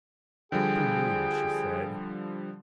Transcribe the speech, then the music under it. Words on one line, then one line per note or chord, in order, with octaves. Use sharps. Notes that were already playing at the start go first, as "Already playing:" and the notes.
Afternoon she said.
D3 F3 G3 G#4 G5